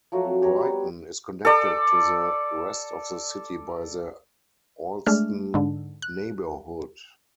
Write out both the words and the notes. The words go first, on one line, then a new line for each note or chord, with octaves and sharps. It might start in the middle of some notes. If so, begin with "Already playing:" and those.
Brighton is connected to the rest of the city by the Allston neighborhood.
F3 F#3 A3 F#4
C4
G4 C#5 A#5
G3 B3
A4 D5
G#3 A3 D4 F6
G#2 D3
F#6